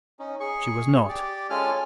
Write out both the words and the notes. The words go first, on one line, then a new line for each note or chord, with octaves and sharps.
She was not.
C#4 D#4
G#4 C#6
G4 D5
G#3 C#4 F4 A4 G#5 F6